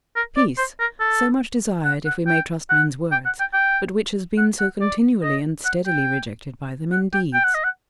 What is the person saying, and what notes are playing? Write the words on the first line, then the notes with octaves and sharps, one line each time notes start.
Peace so much desired, if we may trust men's words, but which has been so continually and steadily rejected by them in deeds.
A#4
D5
C5
A#4
A4
F#5
F#5
G5
F#5
G5
F#5
G5
G5
F#5
F#5
D5
D#5
F#5
G5
F#5
G5
G5
F#5
D#5
F#5